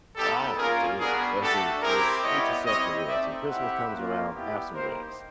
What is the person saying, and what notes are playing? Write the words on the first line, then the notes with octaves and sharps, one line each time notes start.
Oh, b dude. I said, "Just treat yourself to ribs. When Christmas comes around, have some ribs."
G3 B3 D#4 G4 A4
A#3 C#4 F4 G#4 A#4
G3 B3 D4 F#4 G#4 A#4
A3 D4 F#4 G4 A4
C4 E4 G4 G#4 A#4
G3 B3 E4 G4 C#5 D#5
G3 C4 E4 G4 C#5 D#5
A3 C4 D#4 D5 E5
G3 C4 E4 G4 E5 F#5
A#3 C#4 F4
G3 B3 E4 G4
A#3 D#4 G4 A#4 C5